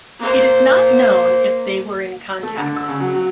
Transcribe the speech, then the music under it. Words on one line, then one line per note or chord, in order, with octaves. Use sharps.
It is not known if they were in contact.
A#3 C5
A3
D3
E6
C#3
F#3
F#3